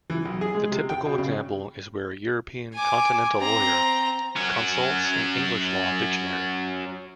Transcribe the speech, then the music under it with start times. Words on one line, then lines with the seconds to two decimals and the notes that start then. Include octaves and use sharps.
The typical example is where a European continental lawyer consults an English law dictionary.
0.10 E3
0.25 B1
0.41 G#4
0.54 G#3
0.71 C3
0.90 G5
1.05 B2
1.18 C#3
2.74 G#5 D6
3.37 C4 A#5
4.36 F#3 C#4